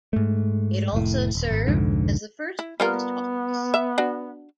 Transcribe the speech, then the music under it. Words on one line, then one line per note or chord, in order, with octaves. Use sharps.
It also served as the first post office.
G#2 A3
F1 A2
D#1
G#1
C2 F2 G#2 D3
E4
G3 B3 F4 A#4
E5
D4 F#4